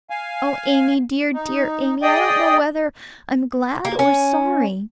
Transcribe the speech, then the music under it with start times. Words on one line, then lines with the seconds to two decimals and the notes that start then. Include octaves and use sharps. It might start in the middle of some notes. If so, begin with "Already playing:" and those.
'O Amy! dear, dear Amy; I don't know whether I am glad or sorry!'
0.10 F5 G#5
1.34 D#4
2.02 G#4 D5 D#5 G5 D#6
3.85 A#3
3.99 C#4